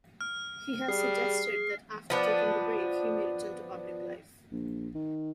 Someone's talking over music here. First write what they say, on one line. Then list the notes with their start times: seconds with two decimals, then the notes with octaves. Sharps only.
He has suggested that after taking a break, he may return to public life.
0.21 F6
0.88 G3 G#4 C7
2.10 F3 B3 D4
4.52 A#1
4.95 D#3